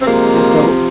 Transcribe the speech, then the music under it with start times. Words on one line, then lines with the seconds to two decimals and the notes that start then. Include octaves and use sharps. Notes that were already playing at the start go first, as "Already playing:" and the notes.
uh so,
0.01 C4
0.05 C3 F3 G#3 A#3